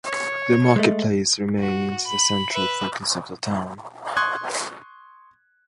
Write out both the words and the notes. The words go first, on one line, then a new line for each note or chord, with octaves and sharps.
The market place remains the central focus of the town.
C#5
G#3 A3
F#4
B5
B4 E5
C6 C#6 D#6 F#6 G#6